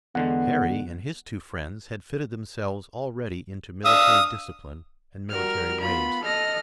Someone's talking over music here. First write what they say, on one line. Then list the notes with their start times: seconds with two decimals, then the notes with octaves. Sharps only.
Harry and his two friends had fitted themselves already into military discipline and military ways.
0.15 E2 D3 G#3 B3 F#5
3.85 D4 F5 D#6 E6
5.30 G3 F#4 A#4 F6
5.80 B3 F4 B5
6.24 A4 D#5 F6 A#6